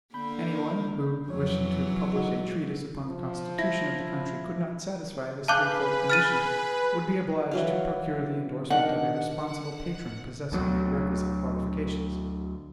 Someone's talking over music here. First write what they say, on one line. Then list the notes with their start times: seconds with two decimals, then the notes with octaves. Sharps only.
Any one who, wishing to publish a treatise upon the constitution of the country, could not satisfy this threefold condition, would be obliged to procure the endorsement of a responsible patron possessing the requisite qualifications.
0.14 D3 A#3 B5 G6
1.28 F2 E3 F#3 C#5
2.12 G#3 D#4 F#4
3.07 F3
3.59 E4 A#6
5.48 G#4 B4 F5 A5 D6 F#6 G6
6.10 F6 A6 D#7
7.51 E3 F#3 F5
8.70 D#3 D4 F#5
10.52 D2 F#3